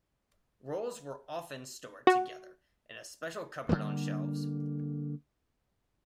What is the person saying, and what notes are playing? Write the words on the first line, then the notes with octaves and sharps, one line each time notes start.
Rolls were often stored together in a special cupboard on shelves.
F#4
D3 F3 G3 A#3